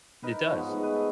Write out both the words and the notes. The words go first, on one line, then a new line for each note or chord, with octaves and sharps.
It does.
D#4 A#4 B4
F3 C#5
G#2 B3
G#2 A3
B4
A4 C6